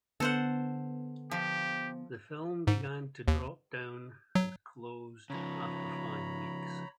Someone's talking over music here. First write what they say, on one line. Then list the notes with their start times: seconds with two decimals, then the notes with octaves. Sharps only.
The film began to drop down and closed after five weeks.
0.20 D3 B3 A4 C5 F#5
1.31 F3 G4
2.67 G#2
3.28 D#2
4.35 F#3
5.30 C#3 F3 C#5 A#5 B5